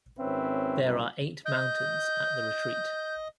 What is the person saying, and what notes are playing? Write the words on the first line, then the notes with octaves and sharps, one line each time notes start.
There are eight mountains at the retreat.
G#1 C4 C#4 B4 C#5 E5
C2 F#2
D#5 G6